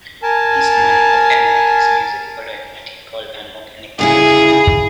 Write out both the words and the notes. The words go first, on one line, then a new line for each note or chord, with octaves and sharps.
Eastman often wrote his music following what he called an "organic" principle.
A#4 G#5 A5
D2 C#3 E4 G#4